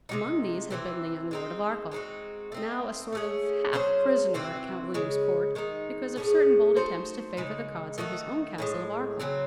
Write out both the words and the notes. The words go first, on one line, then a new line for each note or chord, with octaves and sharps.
Among these had been the young Lord of Arkell, now a sort of half prisoner at Count William's court because of certain bold attempts to favor the Cods in his own castle of Arkell.
C3 D#3 G#3 D#4
C3 E3 C4
G#3 C4 D#4
G#3 C4 D#4 F#4
A3 C4 D#4
A3 C#4 G#4
F#3 C#4 G#4 C5
C3 E3 C4 F#4
C#3 G#3 C#4
D#3 G#3 D#4
A2 G#3 C#4 G#4
A3 D#4 F#4 C5
C#3 G#3 D#4
D#3 A3 D#4 F#4
A2 E3 G#3
C#3 F#3 C4